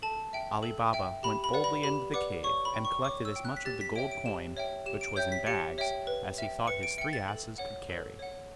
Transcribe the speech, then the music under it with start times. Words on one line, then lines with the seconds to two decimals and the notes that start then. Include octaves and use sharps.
Ali Baba went boldly into the cave, and collected as much of the gold coin, which was in bags, as he thought his three asses could carry.
0.02 A4 A5
0.33 E5 G5
0.63 A4
0.93 E5 G5
1.23 G4 B5
1.44 B5
1.53 B4 D5 F#5
1.64 B5
1.83 G4 B5
2.14 B4 D5 F#5 D6
2.44 C#5 C#6
2.65 B5
2.74 G5
2.85 C#6
3.04 C#5 D6
3.25 E6
3.36 G5
3.45 F#6
3.57 B6
3.65 G4 A6
3.81 B6
3.95 C#5 E5 G5 D7
4.11 D7
4.26 G4 E7
4.57 C#5 E5 G5
4.86 G4 E7
5.01 D7
5.16 C#5 E5 G5 G6
5.32 B6
5.47 G4 C#7
5.78 C#5 E5 G5
6.07 B4
6.38 E5 G5
6.67 B4 C#7
6.83 D7
6.98 E5 G5 C#7
7.13 A6
7.28 A4
7.58 C#5 F#5
7.90 A4
8.19 C#5 F#5